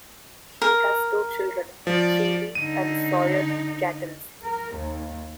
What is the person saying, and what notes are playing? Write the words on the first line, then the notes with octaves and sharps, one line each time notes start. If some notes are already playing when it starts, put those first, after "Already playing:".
He has two children, Phoebe and Sawyer Katims.
A#4
F3 D5
D3 D#4 D#7
A#4
D#2